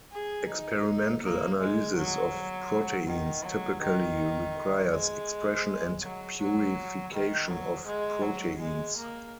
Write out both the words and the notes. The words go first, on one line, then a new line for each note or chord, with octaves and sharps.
Experimental analysis of proteins typically requires expression and purification of proteins.
G#4
D#4
A#3
G#3
F#3
D#3
F#3
D#3
G#3
F#3
F#3
D#3
F#3
G#3
F#3
G#3
A#3